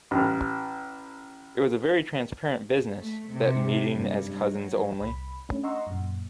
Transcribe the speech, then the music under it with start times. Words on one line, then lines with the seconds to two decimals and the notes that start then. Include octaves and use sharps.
It was a very transparent business, that meeting as cousins only.
0.11 A1 F6
2.98 A3
3.32 C3
3.90 G2
4.45 F#3
5.00 C2 B5
5.49 A3 C#4 D4
5.63 D#5 F#5 A#5 C6 C#6 E6
5.87 F#2 A#2